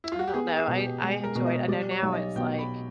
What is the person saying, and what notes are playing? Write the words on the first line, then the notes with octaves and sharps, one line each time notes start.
I don't know. I I enjoy it. I know now it's like
E4
F4
F#4
G4
B3 G#4
G#4
B2
G4
G#3 G#4
A#4
B2
D#5
G3 D5
C#5
B1
D#5
B2 G5
B5